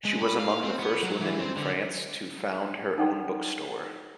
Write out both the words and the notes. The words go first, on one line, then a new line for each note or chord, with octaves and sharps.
She was among the first women in France to found her own book store.
G#3
B5
F5
C4
B3
F#3
E3
C4
D3
D#4 A4 F#5 G5